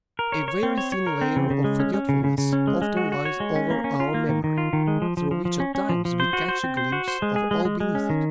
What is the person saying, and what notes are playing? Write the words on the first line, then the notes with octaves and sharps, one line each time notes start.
A very thin layer of forgetfulness often lies over our memory, through which at times we catch a glimpse of all beneath it.
A#4
C#5
C#5
C4
C#5
C#5
A#4
C4
C#3
C#3
G#3
C#4
C#4
C#3
C#3
C#3
C#4
G#3
G#3
F#4
F#4
C#5
G#3
C#4
A#3
C#4
F4
A#3
D#3
D#3
F4
D#3
G#3
F3
F3
F3
F3
C#4
C#4
F3
F3
C5
F#4
C5
C4
C5
F#4
C5
G#3
G#4
G#3
G#3
G#3
C#4
D#3